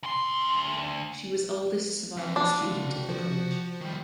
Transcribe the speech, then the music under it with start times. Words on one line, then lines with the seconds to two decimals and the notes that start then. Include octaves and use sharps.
She was oldest surviving student of the college.
0.03 D2 C6
2.17 F2
2.36 D4 F#4 F5
3.09 F3
3.81 D#3 G3